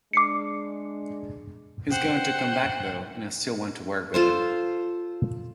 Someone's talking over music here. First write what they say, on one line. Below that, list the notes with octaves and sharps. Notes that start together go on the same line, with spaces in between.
He's going to come back though and I still want to work with him.
G#3 D4 D6 C7 C#7
C5 F#5 G5
F4 A4 C5